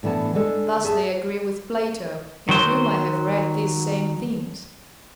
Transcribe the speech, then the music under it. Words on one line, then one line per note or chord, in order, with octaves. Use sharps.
Thus they agree with Plato, in whom I have read these same things.
A2 D3 E3 B3 A5
D3 G#3 A4
G#4 E5 A5
D#3 F#3 C5